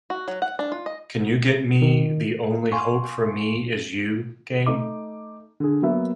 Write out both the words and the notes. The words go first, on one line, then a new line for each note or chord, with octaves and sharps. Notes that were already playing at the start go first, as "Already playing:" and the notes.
Can you get me The Only Hope for Me Is You game?
F#4
F#3
F#5
D4
F4
D#5
D#3
F5 G#5 C6 C#6
A3 D#4 D6
D3 G#4
F#3 A#3 B3 E5